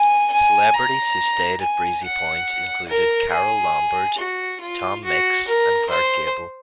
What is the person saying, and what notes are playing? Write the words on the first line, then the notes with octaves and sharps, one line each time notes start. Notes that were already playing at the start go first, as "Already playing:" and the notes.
Celebrities who stayed at Breezy Point included Carole Lombard, Tom Mix and Clark Gable.
Already playing: G#5
G#5
A#5
G#5
F#5
A#4
G#4
F#4
F4
F#4
A#4
C5